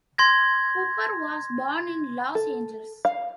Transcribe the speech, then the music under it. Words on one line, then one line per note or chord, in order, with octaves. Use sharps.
Cooper was born in Los Angeles.
C6 G#6 A#6
A4
F5